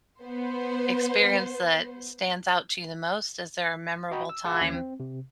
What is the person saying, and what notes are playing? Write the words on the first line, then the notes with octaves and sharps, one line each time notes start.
experience that stands out to you the most? Is there a memorable time
B3 C5
F#4 D#5 G5 A#5 B5
E6
F4 G#4 F#5 A5 E6
D#2 C#4 G#6 C7
C4
C3